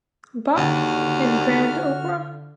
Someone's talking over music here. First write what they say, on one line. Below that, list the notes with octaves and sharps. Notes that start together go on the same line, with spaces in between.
Bach, and grand opera.
D#2 D3 F#4 F6